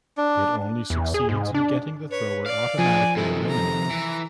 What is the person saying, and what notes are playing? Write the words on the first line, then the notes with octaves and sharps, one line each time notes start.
It only succeeds in getting the thrower automatically eliminated.
D4
E2
G#4
G#2
D4
B4 C#5
D5 F5
F3 D4 G#4 G#5
C3 D#3 E4 A4
A#5
E3